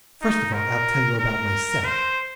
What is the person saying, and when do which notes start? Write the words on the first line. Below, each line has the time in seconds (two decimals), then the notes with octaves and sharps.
First of all I'll tell you about myself.
0.22 D#4
0.54 A#4
1.19 A#4
1.85 C5